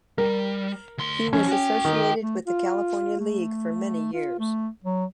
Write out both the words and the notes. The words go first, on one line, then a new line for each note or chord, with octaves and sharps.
He was associated with the California League for many years.
G3 A#4
D2 C6
D3 F3 C#4
F#4 G5
D#3
A3
F4
A3
F4
A3
F#3